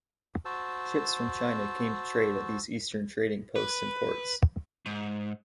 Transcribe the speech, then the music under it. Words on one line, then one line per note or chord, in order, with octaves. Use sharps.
Ships from China came to trade at these eastern trading posts and ports.
F#4 C5 A5 E6
B4
G#2